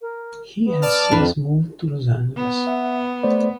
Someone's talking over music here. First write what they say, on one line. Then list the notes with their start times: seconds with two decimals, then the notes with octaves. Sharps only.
He has since moved to Los Angeles.
0.01 A#4
0.64 B3
0.82 D5 A5 F6
1.11 F2 D4 B4
2.37 B3
2.67 E5 F#5
3.23 A3 C5 D5